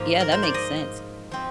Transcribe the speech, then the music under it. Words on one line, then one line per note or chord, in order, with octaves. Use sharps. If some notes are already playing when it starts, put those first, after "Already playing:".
Yeah, that makes sense.
Already playing: G#2 F3 A#3 F5
A#4
C5
D5
D#5
F3 C4